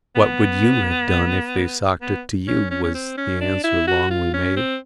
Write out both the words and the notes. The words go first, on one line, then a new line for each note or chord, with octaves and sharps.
"What would you have done if they'd socked it to you?" was the answer Longley made.
B3
B3
C#4
C#4
C#4
C4
C#4
D4
E4
F#4
F4
C#4
C4